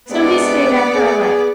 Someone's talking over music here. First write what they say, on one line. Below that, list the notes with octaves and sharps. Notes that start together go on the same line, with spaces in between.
So he stayed after I left.
C3 G#3 B3 D4 D5
G#4